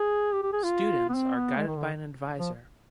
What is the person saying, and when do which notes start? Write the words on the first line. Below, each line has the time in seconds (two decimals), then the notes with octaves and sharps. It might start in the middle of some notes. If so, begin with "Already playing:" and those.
Students are guided by an advisor.
Already playing: G#4
0.32 G4
0.43 G4
0.53 G#4
0.63 F4
1.09 B3
1.15 C4
1.36 B3
1.57 G#3
1.67 D#3
1.78 D3
2.39 F3